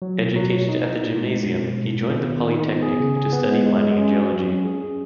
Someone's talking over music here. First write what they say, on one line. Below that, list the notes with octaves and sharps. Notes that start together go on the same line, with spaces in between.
Educated at the Gymnasium he joined the Polytechnic to study mining and geology.
F#3
B2
F#3
B2
D#4
D#4
D#4
G#3
B2
B2
G#3
B2
B3
D#3
D#3
D#4
B3
G#4
C#3
G#4
B3
G#3
G#3
G#3
C#4
F#4
F#3
C#4
G#4
G#4